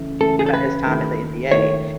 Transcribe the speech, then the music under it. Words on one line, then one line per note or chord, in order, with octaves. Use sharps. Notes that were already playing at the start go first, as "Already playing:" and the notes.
about his time in the NBA,
Already playing: C#3 E3 A3 C#4
C#3 E3 A3 C#4 A4
G#4
A4
B4
D#3 A3 E4
D#3 A3 E4 C#5